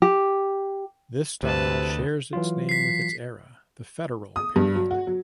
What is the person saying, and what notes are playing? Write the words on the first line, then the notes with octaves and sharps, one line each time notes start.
This style shares its name with its era, the Federal Period.
G4
D2 C3 B4 A5
E3 F#3 F4
B6 C7
D#6
G2
F#3
F#4
F#3